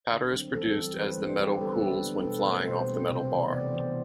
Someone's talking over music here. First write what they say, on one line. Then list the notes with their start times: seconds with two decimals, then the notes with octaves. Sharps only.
Powder is produced as the metal cools when flying off the metal bar.
0.11 D3
0.33 F#3 C4
0.54 E3 A4
0.75 G3 C4
0.96 E3 B4
1.11 C5
1.18 G3 C4
1.26 C5
1.39 D3 G4
1.53 B4
1.61 G3 B3 A4
1.82 D3 B4
2.04 G3 B3
2.20 A4
2.25 B2 B4
2.46 A3 C4
2.67 B2 C5
2.89 A3 C4
3.10 C3 C5
3.32 E3 B3
3.53 C3 D5
3.74 E3 B3 C5